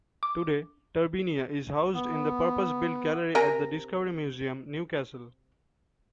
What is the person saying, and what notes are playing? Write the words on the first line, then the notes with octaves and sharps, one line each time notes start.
Today, "Turbinia" is housed in a purpose-built gallery at the Discovery Museum, Newcastle.
D6
B3
C3 A#4 G#5 A#5